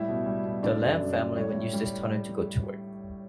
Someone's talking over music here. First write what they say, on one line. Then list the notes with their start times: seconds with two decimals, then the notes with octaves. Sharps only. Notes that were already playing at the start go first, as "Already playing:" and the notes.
The Lemp Family would use this tunnel to go to work.
Already playing: A2 G3 E4 E5
0.08 B2
0.26 G3
0.44 B2
0.63 D3 D4 D5
0.81 F#2
1.00 F#2
1.17 D3
1.36 G3 C#5
1.54 A2
1.73 G3